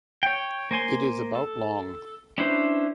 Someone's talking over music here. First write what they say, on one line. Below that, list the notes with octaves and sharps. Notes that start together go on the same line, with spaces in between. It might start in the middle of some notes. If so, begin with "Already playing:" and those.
It is about long.
C#5 G5
A#3 C5 G#5 C6
A4
C#4 D4 E4 B4 C5